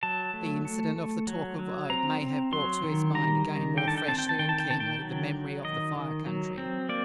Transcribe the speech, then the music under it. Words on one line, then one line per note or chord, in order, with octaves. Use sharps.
The incident of the talk of Oak may have brought to his mind again more freshly and keenly the memory of the Fire Country.
F#3 A5
A3
A3
A3
F#3
F#3
C4 A#5
C4
F#3 C6
D#3
G3 A#5
D#3
D3 G5
A5
G5
C4 A5
G5
A5
D#3 G5
A5
G5
D#3 A5
G5
F#3
F#3
D#3 D#5
D#3
F#3
C4
A#3 D5